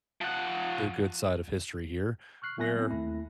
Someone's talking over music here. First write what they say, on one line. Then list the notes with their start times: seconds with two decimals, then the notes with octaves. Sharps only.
the good side of history here, where
0.21 F3 F#5
2.42 C#6 F6 F#6 C7
2.58 F#3 B3 E5 G#5 F#6 A#6
2.76 A3 B3 C4 E4
2.90 D#2 A3 E4